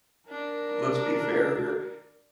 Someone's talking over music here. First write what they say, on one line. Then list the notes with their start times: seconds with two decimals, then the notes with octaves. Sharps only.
let's be fair here,
0.30 D4 A#4